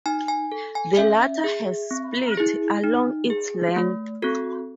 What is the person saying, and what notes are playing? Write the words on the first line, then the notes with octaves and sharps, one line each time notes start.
The latter has split along its length.
D#4 G#5
G#5
A4
G#5
C#4 E5
G#4
C4
E4 G#4
D#4
G#4
A3
C4 F#4 A4